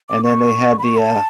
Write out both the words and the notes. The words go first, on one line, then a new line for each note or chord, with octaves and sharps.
and then they had the, uh
D6
C#6
B5
C#6
A5